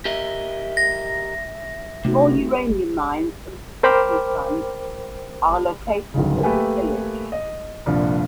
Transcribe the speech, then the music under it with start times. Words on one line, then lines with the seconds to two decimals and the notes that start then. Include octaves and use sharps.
Small uranium mines and a processing plant are located at this village.
0.05 G4 A#4 D#5 E5
0.77 A#6
2.05 C3 A3 D#4 F#4
3.83 A#4 C5 G5 B5 D6 F6
6.14 D1 G1 G#2 C#3
6.43 A3 A#3 G4 B4 E5 G#5
7.32 D#5
7.86 C2 G2 A#2 F3